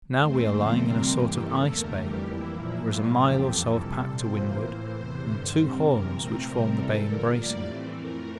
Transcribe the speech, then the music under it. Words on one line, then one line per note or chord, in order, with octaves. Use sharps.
Now we are lying in a sort of ice bay--there is a mile or so of pack to windward, and two horns which form the bay embracing us.
F2 E3 A3 C4 C5
F2 D3 F3 A3 C4 C5
C3 G3 C4 A#4
G2 E3 A#3 G4
C3 E3 A#3 A4
E2 D3 A3 A#4
F2 E3 G3 G4
F2 E3 A#3 E4
A#2 F3 A#3 E4
A2 G3 A#3 F4
E2 D3 F3 C4 G4
F2 E3 A#3 A4
C3 G3 A#3
A#2 F3 C4 C5
A2 E3 A#3
A2 E3 A#3 C5
E2 C3 E3 C5
G2 D3 G3
C3 G3 C4
E2 C3 E3 A#4
A#2 A3 C4
C3 G3 C4
C3 E3 G3 A4
G2 D3 F3 A#4
A2 G3 A#3 D5
A2 E3 A3 C4
F2 E3 A3 A#4